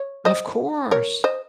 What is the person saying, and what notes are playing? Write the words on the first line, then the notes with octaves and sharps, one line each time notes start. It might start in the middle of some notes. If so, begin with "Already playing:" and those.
Of course.
Already playing: C#5
C5 D#5
A#4 C#5
C5 D#5